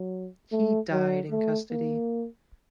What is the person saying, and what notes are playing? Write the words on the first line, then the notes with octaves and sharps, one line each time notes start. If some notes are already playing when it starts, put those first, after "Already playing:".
He died in custody.
Already playing: F#3
A3
F#3
A3
A#3